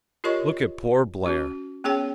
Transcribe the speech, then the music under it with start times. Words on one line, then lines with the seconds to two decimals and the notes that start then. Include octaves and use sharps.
Look at poor Blair.
0.24 F4 G4 A#4 C#5 D#5 C#6
1.25 C#4 F#4
1.84 B3 C#4 G#4 C#5 G5